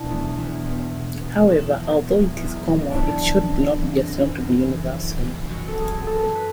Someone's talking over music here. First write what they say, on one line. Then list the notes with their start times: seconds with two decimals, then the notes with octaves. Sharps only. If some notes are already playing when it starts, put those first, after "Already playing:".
However, although it is common, it should not be assumed to be universal.
Already playing: B2 D4 E4
0.10 E2
0.38 E2
0.67 E2
0.95 B2
1.24 E2
1.52 E2
1.81 F#3
2.08 E2
2.37 E2
2.65 F#3
2.90 E3 D4 E4
3.23 E3
3.51 F#2
3.80 E3
4.08 F#2
4.36 F#2
4.64 E3
4.93 E3
5.22 F#2
5.50 F#2 F#4
5.68 A4
5.78 F#2 G#4
6.06 F#2 A4
6.35 B4